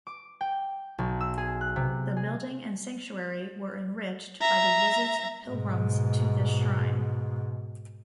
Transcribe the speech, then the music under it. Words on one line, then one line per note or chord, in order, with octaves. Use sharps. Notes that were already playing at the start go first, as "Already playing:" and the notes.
The building and sanctuary were enriched by the visits of pilgrims to this shrine.
D6
G5
B1
E6
G#4
F#6
C3
G#4
E5 A#5
G#2 B2